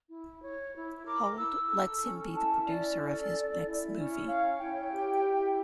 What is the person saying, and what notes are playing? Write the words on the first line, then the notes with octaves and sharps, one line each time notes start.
Hold lets him be the producer of his next movie.
E4
C#5
E4
A#4 D6
E4 E6
A4 E6
C#4
E4 A5
C#4 D5
A4
C#4
E4
C#4
C#5 F5
E4 G5
G4
E4